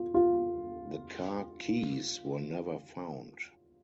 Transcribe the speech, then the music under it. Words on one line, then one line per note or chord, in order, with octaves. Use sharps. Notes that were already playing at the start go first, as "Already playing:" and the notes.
The car keys were never found.
Already playing: F4
F4